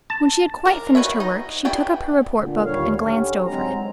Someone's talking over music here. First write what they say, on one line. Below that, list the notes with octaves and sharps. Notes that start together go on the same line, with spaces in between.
When she had quite finished her work she took up her report-book, and glanced over it.
A5
D4 A#4
D#3 F#4 B4 C#5 E5
D#4 D#5
B3 D4 E4 G#4 G5
A#2 D3
D#2 A#2 G3 C#5 F5
D3 G3 C#4
G#2 F#3 G#3 C4 A#5